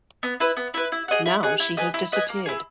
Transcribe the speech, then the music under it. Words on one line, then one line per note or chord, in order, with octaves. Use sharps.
Now she has disappeared.
B3
E4 B4
B3
E4 B4
E4
G#4 D#5 F#5
E4
G#4 D#5 F#5
E4
B4 D#5 G#5
E4
B4 D#5 G#5
A#3
E4 G#4